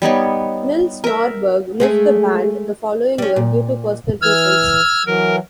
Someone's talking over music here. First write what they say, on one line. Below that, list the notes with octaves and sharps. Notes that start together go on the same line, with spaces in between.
Nils Norberg left the band the following year due to personal reasons.
G3 B3 D#4 C#5
A#4 E5
G#3 A3 G#4
G3 C#4
A#2
E3 E6 F6 G#6
E3 F#3 A#4